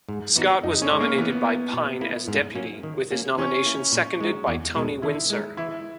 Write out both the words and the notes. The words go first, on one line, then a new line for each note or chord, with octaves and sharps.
Scott was nominated by Pyne as Deputy; with his nomination seconded by Tony Windsor.
G#2
E3 B3 D#4 F#4
F#2 D#4
C#4
C#3 G#3
A#3
E3 B3
A#3 E4
B2
A#3 E4
G#2
F#3 A#3 C#4
D#3
A#3 C#4 F#4
E3 C#4
A#3 E4
A#2
G#3 D#4 F#4
E2
B2 G#3
D#3 E4
G#3 D#4
E3 E4